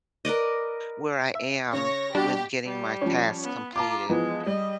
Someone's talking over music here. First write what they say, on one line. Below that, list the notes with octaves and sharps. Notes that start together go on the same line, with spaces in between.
where I am with getting my tasks completed.
A#4 B4 D5 D#5
E5
C#3 C#5 A#6
B2 G3 D4 F#4 G4 D5
G3
F3 C#4
B3
F4 A5 A#5 D6
E3 F3 G#3 B3
G3 D#5